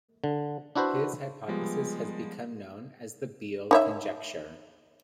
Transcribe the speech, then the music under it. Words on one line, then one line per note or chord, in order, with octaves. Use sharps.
His hypothesis has become known as the Beal Conjecture.
D3
D4 E4 F#4 B4 C5
F3 G3 G#3 B3
D#4 C#5 E5